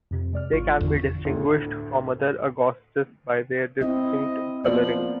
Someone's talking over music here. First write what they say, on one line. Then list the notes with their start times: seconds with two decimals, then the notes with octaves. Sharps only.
They can be distinguished from other agoutis by their distinct coloring.
0.11 F2 C3
0.33 G#3 D5 F6
0.52 G#1 F4 C#6
0.81 E2 D3
1.25 D2 A2
3.81 C4 E4 D#5
4.65 F3 A#3 B3 D5 F#7